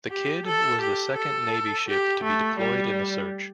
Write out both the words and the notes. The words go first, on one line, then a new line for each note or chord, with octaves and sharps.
The "Kidd" was the second Navy ship to be deployed in the search.
G4
A4
G4
A4
G4
A3
G3